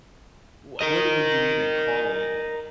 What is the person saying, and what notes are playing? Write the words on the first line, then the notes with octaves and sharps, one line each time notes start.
wha what would you even call it?
A#4 D#5